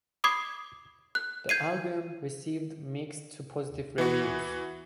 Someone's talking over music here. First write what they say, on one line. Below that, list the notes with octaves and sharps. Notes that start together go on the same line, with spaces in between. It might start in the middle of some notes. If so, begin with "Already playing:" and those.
The album received mixed to positive reviews.
B5 D6 D#6 G#6 C7
F#6
G6 G#6 C7 D#7
E3 B3 F#4